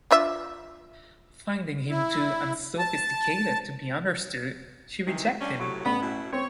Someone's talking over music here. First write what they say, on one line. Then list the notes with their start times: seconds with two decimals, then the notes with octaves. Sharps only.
Finding him too unsophisticated to be understood, she reject him.
0.11 D4 F4 E5
1.90 E4
2.79 A5
5.07 C3 D#3 E3
5.40 G3 C#4 D4
5.60 A2 C3 F#3 C#6
5.85 A1 B3 B5
6.02 B2 F#3 E4
6.33 C4 C#5